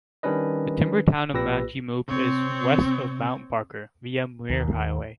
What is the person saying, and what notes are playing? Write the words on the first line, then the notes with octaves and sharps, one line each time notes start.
The timber town of Manjimup is west of Mount Barker, via Muir Highway.
D#3 G3 C#4 D4 B4 D#5
A#1 A#2 G4 B4 E6 A#6
C3 C4 C#5
D#2